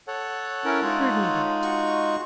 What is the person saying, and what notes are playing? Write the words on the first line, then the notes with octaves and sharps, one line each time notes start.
"Prove me that."
A4 C#5 F#5
C#4 E4 A#4
G#3 D#4 F4
F#4 C#6